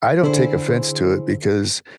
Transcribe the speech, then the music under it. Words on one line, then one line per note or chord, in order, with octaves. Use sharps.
I don't take offense to it because,
D3 E4 G#4 C5